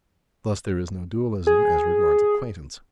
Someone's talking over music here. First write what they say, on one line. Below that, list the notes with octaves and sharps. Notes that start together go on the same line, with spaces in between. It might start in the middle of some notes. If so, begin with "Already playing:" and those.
Thus there is no dualism as regards acquaintance.
G#4